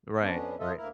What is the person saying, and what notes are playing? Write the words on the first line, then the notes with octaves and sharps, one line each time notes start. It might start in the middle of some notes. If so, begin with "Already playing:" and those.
Right, right.
F2 B3 C#4 D4
F4 A4 D#5 E5
D2 A#3 E4 A#4